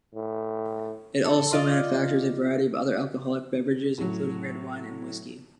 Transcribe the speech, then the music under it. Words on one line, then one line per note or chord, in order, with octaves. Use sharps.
It also manufactures a variety of other alcoholic beverages including red wine and whiskey.
A2
A4
F4 D5 D#5
A2 F#3